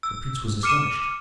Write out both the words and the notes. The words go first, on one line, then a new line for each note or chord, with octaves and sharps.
The prince was astonished.
E6
D6 F6 C#7 D#7 E7